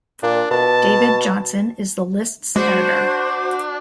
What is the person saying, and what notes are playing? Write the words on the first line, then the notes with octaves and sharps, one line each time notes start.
David Johnson is the list's editor.
A#2 D4
B2 A5
G#3 D4 F#4 C5